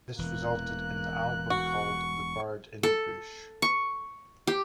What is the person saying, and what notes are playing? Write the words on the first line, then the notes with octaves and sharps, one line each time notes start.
This resulted in the album called "The Bird in The Bush".
E1 E3 A#3 F#6
F#4 C#6
A4
C#6
G4